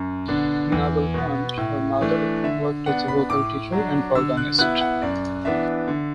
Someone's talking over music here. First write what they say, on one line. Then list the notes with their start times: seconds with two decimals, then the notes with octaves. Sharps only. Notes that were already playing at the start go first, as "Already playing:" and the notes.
Minabel Hunt, her mother, worked as a vocal teacher and organist.
Already playing: F#2
0.28 D3 B3 D4
0.72 E2
1.14 B2 B3
1.58 A2
2.01 E3 A3 D4
2.44 D3 E5
2.86 B3 D4 F#5
3.08 B5
3.30 A2 D6
3.72 F#3
3.77 D4
4.15 D3 E6
4.37 F#6
4.58 B3 E4 F#6
4.81 F#5
5.02 F#2 D5
5.45 E3 B3 D4 E5
5.88 D3